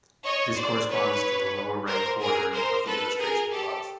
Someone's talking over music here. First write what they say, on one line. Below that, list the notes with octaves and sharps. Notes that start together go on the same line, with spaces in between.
This corresponds to the lower-right quarter of the illustration above.
C#5 D#5
C5 D5
B4 C#5
A#4 C5
G#4 A#4
A#4 C5
A4 B4
G#4 A#4
G4 A4